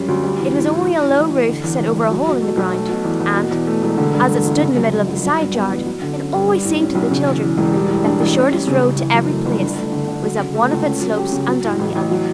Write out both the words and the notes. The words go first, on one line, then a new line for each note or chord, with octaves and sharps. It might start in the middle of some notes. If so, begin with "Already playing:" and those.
It was only a low roof set over a hole in the ground, and, as it stood in the middle of the side-yard, it always seemed to the children that the shortest road to every place was up one of its slopes and down the other.
Already playing: F#2 G3 C#4
D2
G3
E3
A2
A2
F#3
A2
A1
A1
D3
E2
E1
E1
F#3
B2
A3
B1
A3
B2
E2
E2
B2
E2
A3
E1
D3
G2
A3
G1
C#3
F#2
G1
G1
F#3
G2
B3
A1
F#3
D3
C#4
G2
G3
A2
C#4
B1
C#3
E2
E3
E1
G3
A2
D4
A1
C#4
G3
C#3
C#3
E3
F#2
A3
G1
D4
A3
D3
D3
F#3
C#3
A3
C#2
C#4
F#3
G4
C#3
F#3
A2
A1
A1
F#3